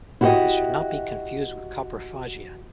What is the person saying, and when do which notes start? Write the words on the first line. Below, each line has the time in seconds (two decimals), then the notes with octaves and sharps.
This should not be confused with coprophagia.
0.21 E4 F#4 G4 C5 D#5